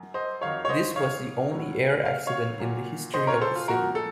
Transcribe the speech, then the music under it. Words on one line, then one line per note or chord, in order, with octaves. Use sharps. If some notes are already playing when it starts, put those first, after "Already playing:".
This was the only air accident in the history of the city.
Already playing: F#2
C5 D#5
F2 D#3 F#3 C#5 F5
C#5
C5 D#5
C#5 F5
A2 F#3
F5
C#5 F5
A#2 F#3
C5 D#5
A#4 C#5
A4 C5
F4
A#2 F3 F#4 A#4
A4